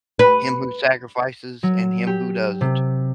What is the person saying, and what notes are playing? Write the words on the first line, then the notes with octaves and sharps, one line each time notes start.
him who sacrifices and him who doesn't,
B4
F#3
G4
C3